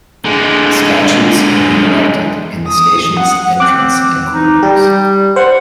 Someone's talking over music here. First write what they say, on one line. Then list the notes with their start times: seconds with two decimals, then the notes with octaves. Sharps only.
Statues have been erected in the station's entrance and corridors.
0.25 D3 G#3
2.67 D#6
3.19 F#5
3.60 C4 D6 F#6
4.33 D#4
4.63 G3 G4
5.36 C5 F#5